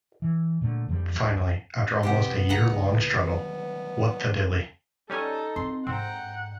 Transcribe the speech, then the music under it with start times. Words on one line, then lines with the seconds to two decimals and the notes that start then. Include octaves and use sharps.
Finally, after almost a year-long struggle, Whutthadilly?
0.22 E3
0.61 A#2 D3 A3
0.88 F2 D3 F3 G3
1.16 D2
2.03 F#2 C3 B3 G4 C5 F#5
2.49 C#2 A#2 F#5 A#5 B5
3.23 D#3 F#3 G3
5.10 G3 C#4 D#4 A4 G#5
5.56 C4 C6
5.87 G#2 C4 F#5 G5 A#5